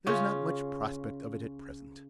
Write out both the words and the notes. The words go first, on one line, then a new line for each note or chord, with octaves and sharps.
There is not much prospect of it at present.
C#3 C#4 F4